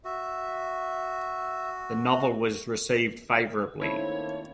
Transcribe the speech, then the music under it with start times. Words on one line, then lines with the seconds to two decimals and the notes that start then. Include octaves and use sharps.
The novel was received favorably.
0.05 F#4 E5
3.82 D#3 A3 A#3 C4 C#4 E4 C#5